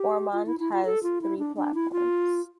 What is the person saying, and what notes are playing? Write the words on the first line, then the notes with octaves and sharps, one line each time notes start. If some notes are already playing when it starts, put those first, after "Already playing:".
Ormond has three platforms.
Already playing: G4
F4
E4
E4
F4
A4
F4
E4
D4
D4
E4
F4